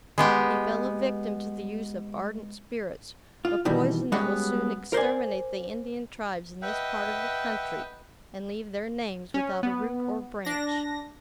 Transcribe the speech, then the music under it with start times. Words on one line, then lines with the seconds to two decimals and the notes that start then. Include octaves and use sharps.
He fell a victim to the use of ardent spirits--a poison that will soon exterminate the Indian tribes in this part of the country, and leave their names without a root or branch.
0.18 G#3 B3 G4
3.45 F4
3.65 B2 D#3 E3 G3
4.12 G3 G#3 B3 C#4 F#4 G4
4.93 A#4 C5 D5 G#5
6.62 B4 D#5 E5 F#5 G5
9.34 C#4
9.63 B3
10.45 D4 A#6